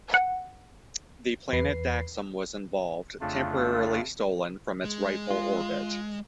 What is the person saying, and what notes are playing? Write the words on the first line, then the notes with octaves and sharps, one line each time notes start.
The planet Daxam was involved, temporarily stolen from its rightful orbit.
F#5
E2 B4 C7
F2 C#3 A3 D4 F4
G#3
F4